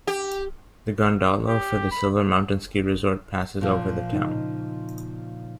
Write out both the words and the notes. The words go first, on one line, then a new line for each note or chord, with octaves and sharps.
The gondola for the Silver Mountain ski resort passes over the town.
G4
G4
B5
A#2 F3
C#3 D#4